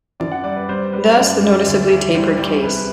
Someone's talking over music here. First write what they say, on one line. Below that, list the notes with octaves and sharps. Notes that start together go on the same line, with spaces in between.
Thus the noticeably tapered case.
F#2 D5
F#5
G3 D5
B4
G3 C5
G3 B4
F#2 D5
G3
D2 D5
D2
G3 C5
G3
C2 B4